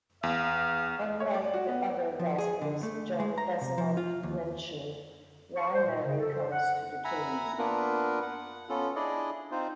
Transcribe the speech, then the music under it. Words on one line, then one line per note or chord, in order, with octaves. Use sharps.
Unlike the other gospels John does not mention why Mary comes to the tomb.
E2 F5
C#5
D5
F#4
B3
F3
G#4
D3
A3
G#3
A#5
C3
F3
F4
D#2
C#6
C5
A#2
C#3
A4
C5
F#5
E5 F#5 G#5 A#5 B5
A#3 B3 D4 F4 A#4 B4
F#5
B3 C#4 F4 A4
D4 E4 G#4 D5 D#5
C4 D#4 F4 C5